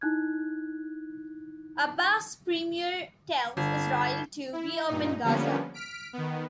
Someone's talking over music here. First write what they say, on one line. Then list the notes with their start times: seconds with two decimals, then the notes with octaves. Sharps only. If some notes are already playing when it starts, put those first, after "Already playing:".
Abbas's Premier Tells Israel to Reopen Gaza.
0.01 D#4 E4 F#6 G#6
3.57 G1
4.53 E4
4.87 G2 A#2 D#4
5.24 D3 F3 G3 A#3 B3 C#4
5.74 F6 B6 D7
6.13 D#3 B3